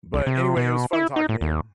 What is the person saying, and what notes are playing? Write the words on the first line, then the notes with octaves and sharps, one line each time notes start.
But anyway, it was fun talking to you.
C2
C3
B2
E4
D#4
A2
D#2